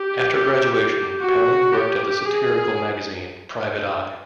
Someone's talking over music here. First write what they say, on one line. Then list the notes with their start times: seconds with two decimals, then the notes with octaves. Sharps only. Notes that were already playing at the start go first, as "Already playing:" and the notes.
After graduation, Pelling worked at the satirical magazine "Private Eye".
Already playing: G4
1.21 F#4
1.73 G4
2.25 G#4